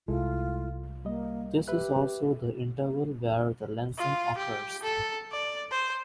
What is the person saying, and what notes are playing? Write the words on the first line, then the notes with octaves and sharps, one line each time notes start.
This is also the interval where the lensing occurs.
C2 G#3 E4 F4 A4
G3 A#3 D#5
G4 B4 E5 F#6
F4
G4
A4
D5
C5